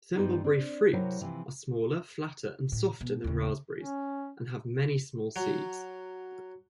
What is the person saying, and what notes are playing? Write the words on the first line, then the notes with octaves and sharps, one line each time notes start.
Thimbleberry fruits are smaller, flatter, and softer than raspberries, and have many small seeds.
G2 F3 B3 D#4 F4 G4
C4 D4
C3 F#3 E4 A#4 C5 C#5
C3 E3 F3 C4
A2
B2
D#2 C#3
C#4
F#3